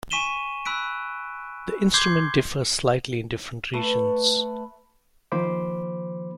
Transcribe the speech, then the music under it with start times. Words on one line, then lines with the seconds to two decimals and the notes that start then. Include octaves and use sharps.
The instrument differs slightly in different regions.
0.10 G#5 C#6 B6 D#7 E7 G7
0.65 B5 E6 F#6 B6 D7
1.94 C6 D6 G6 G#6 C7 G7
3.73 A3 B4
5.32 D#3 F3 A#3 C5 B5 D6